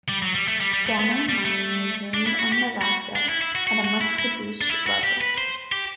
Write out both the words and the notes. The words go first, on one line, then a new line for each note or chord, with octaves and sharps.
Guano mining resumed on Navassa at a much reduced level.
G3
F#3
G3
A3
G3
G3
A3
B3
A3
G3
A3
D4
E4
F#4
G4
F#4
D4
E4
E4
F#4
F#4
F#4
E4
E4
D4
E4
F#4
G4
B4
C5
G4